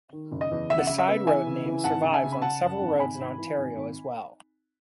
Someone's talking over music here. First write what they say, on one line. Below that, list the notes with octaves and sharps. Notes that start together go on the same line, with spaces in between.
The "side road" name survives on several roads in Ontario as well.
D#3
F#1
D#5
E2
C#3 E5
F#5
C#3 E5
E5
B3
E3 E5 G#5
C#3
E3
G#1 F#5 A5
C#3
E5 G#5
C#3
B5
C#3 F#5 A5
F#2
G#1
G#1 G#5 B5
G#1
E3
G#1
G#1